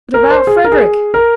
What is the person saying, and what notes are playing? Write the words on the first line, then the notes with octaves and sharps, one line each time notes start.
'But about Frederick.
A#4
C5
G#4
A#4
G#4
A#4